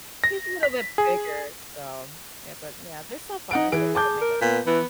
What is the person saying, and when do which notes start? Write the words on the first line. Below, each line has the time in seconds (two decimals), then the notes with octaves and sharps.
he's a little bit bigger, so, yeah, but, yeah, they're so fun, they're so cute, and they love each other.
0.24 A#6
0.63 B6
0.98 G#4
3.51 D#4 F#5 D7
3.72 E3 G#4 D7
3.95 A5 D6 G6
4.21 A#4
4.41 A#2 B3
4.67 E3 B3